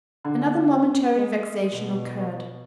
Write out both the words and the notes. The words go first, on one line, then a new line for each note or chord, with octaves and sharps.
Another momentary vexation occurred.
D3
G#3
B2